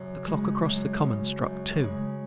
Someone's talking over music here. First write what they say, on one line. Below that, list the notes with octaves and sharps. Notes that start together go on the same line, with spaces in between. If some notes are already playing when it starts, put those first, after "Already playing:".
The clock across the common struck two.
Already playing: F#2 C#3
C#3 G#3
F#2
C#3 G#3
F#2
C#3 G#3